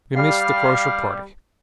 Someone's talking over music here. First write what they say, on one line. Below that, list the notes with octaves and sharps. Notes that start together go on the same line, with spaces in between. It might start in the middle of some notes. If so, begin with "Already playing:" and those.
We miss the Crozier Party.
G3 F5